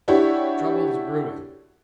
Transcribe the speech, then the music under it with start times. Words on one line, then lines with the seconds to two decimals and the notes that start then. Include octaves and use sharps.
Trouble is brewing.
0.08 D4 E4 F#4 G4 C#5